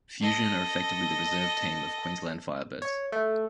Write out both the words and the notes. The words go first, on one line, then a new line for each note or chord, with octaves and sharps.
Fusion are effectively the reserve team of Queensland Firebirds.
A4 D#5
C#5
A3